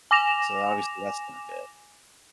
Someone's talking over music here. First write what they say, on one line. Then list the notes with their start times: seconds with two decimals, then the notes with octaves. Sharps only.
so obviously that's not good.
0.11 G#5 D6 A#6 E7 F7